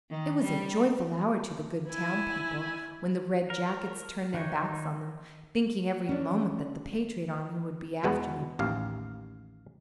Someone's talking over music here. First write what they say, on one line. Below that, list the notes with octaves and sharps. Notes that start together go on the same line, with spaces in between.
It was a joyful hour to the good town people when the red-jackets turned their backs on them, thinking every moment that the patriot army would be after them.
D#3
G3
E4 G#5
A#4
D#3 D4 D#4 C#5
C#4 D4
E2 B2 G#3 B3
A1 D#2 F5